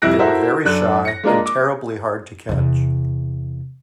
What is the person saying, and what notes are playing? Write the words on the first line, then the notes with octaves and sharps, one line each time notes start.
They were very shy and terribly hard to catch.
C2 F2 E4 F#6 A#6 D7
E4 F#4 A4 A#4 C5 E5
F#2 D4 A4 F#6
A#6 C#7
G#3 A#3 D4 F4 A#4 D#5
D6
E2 C3